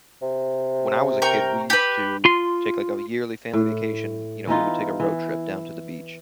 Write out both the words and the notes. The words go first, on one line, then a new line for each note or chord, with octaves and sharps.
when I was a kid, we used to take like a yearly family vacation, you know? We would take a road trip down to the beach,
C3
A#4 G5 C#6
G4 B4
F4 C6
A2
E3 B3 D#4 F4
E3